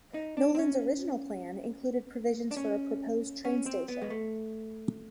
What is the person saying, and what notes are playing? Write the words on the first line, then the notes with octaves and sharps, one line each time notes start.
Nolen's original plan included provisions for a proposed train station.
D#4
D4
C4
C#4
D4
C#4
C#4
C4
B3
G#3
A3